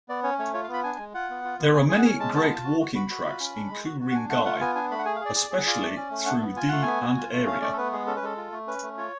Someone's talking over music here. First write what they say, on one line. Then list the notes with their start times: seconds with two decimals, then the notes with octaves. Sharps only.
There are many great walking tracks in Ku-ring-gai, especially through the and area.
0.09 B3 D5
0.23 C#4 C#5
0.39 A3 C#5
0.54 F4 C#5
0.64 F5
0.68 B3
0.73 B5
0.83 D4 G#5
0.99 G#3
1.14 F4 F#5
1.30 B3
1.44 F4
1.59 B3
1.74 G#4 G#5
1.89 G#4 G#5
1.98 F#5
2.05 C#4 G#5
2.20 G#3 A5
2.34 B3 A5
2.50 F4
2.64 F#4
2.80 F#4
2.95 F#4 B5
3.10 F#4
3.25 F4
3.40 C#4
3.56 D4
3.70 G#3
3.85 F#4
4.01 F#4
4.12 F#5
4.15 D4 G#5
4.30 A3 F#5
4.45 F4 F#5
4.61 B3 G#5
4.75 D4 G#5
4.91 A3 B5
4.99 F#5
5.05 G#4 G#5
5.16 F5
5.20 G#4
5.25 D5
5.36 G#4
5.50 G#4
5.66 F4 D5
5.81 A3
5.97 C#4
6.11 A3
6.26 D4 F#5
6.41 B3
6.56 F4 G#5
6.69 A3 F#5
6.82 B3 G#5
7.02 F#4
7.17 F4
7.32 A3
7.46 C#4 F5
7.61 A3 D5
7.73 A4
7.77 B3 B4
7.92 G#3 G#4
8.07 C#4 A4
8.16 B4
8.22 G#3 A4
8.37 F4
8.52 A3
8.67 C#4 B4
8.83 A3
8.97 F4 C#5